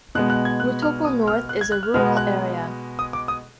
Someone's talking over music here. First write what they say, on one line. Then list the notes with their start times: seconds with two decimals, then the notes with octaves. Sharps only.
Mutoko North is a rural area.
0.15 B2 G#3 B3 F#6
0.30 F#6
0.45 G#6
0.60 F#6
0.82 F6
1.05 D#6
1.27 F6
1.49 F#6
1.61 G#6
1.72 F#6
1.83 F6
1.94 B2 G#3 B3 F6
2.17 F#6
2.99 D#6
3.13 D6
3.28 D#6